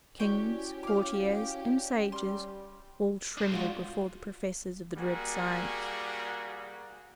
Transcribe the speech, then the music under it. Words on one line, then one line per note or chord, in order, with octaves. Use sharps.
Kings, courtiers, and sages, all trembled before the professors of the dread science.
C#4 E4 F#4 G4 D5 G5 C#6
F5 D6
G3 C6 F6
D4 C5
G#3 F4 F#4
G3 A#3 F#4 G#4